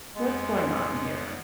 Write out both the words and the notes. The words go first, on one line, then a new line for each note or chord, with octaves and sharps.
what's going on here?
F2 G#3 B3